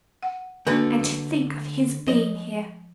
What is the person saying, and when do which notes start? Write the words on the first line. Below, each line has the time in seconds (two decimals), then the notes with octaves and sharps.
And to think of his being here!
0.23 F#5
0.67 D3 A3 A#3 D4 F#4 B4
2.08 F3 D#5